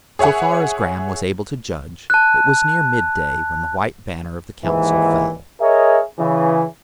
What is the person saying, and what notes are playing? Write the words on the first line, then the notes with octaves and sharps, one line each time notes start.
So far as Graham was able to judge, it was near midday when the white banner of the Council fell.
G#4 C#5 E5 F#5 G#5
A5 F#6
D#2 G#2 E3
G#4 A#4 C#5 D#5 E5
C#3 E3